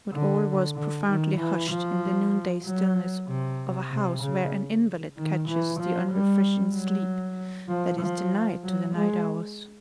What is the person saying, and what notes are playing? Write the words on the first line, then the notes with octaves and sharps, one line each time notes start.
But all was profoundly hushed in the noonday stillness of a house, where an invalid catches the unrefreshing sleep that is denied to the night-hours.
D3
D3
D#3
E3
F3
F#3
C3
C3
C#3
D#3
E3
F3
G3
F#3
F3
F3
F#3
G#3